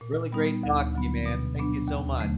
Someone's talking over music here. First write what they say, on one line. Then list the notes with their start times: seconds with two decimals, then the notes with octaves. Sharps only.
Really great talking to you man, thank you so much.
0.01 A#2
0.32 G3 B3 D#4
0.63 D2
0.95 D3 F#3 B3
1.26 B2
1.56 F#3 B3 D4
1.88 D#2
2.18 D3 F#3 A3